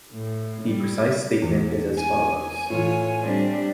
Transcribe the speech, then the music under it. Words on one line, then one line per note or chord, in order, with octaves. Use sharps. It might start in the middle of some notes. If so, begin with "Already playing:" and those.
The precise statement is as follows.
A2
G3
E2
G#5
A2 E3 F4 C#5
G3 C4 D4